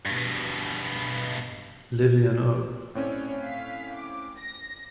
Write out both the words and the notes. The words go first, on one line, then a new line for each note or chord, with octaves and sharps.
Levy and O.
G2 B2
A2 C4 C#4 C#5 D5
F5 B6
D6
A#6